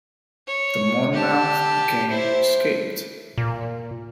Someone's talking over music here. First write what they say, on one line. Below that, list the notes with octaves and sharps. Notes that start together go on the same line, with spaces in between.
The "Monmouth" again escaped.
C#5
G4 A5
E4 C5
A#2